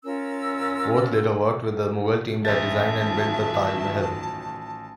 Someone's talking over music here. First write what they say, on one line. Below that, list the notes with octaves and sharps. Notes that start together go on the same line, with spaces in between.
Both later worked with the Mughal team that designed and built the Taj Mahal.
C#4 F4 A#4 E6
A1 E5 A5 A6
D#3 F3 F#3